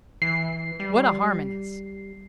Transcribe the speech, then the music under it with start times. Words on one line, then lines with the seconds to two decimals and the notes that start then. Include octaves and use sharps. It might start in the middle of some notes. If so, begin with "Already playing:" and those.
What a harmonist!
0.22 E3 C7
0.80 G3